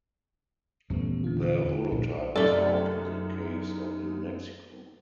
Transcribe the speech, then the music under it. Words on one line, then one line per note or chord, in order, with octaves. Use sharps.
The holotype was found in the caves of New Mexico.
D#1 E2 G3 A3 B3 C#4
D3 F4
A#1 D3
F#2 C3 A3 D#4 A4 D5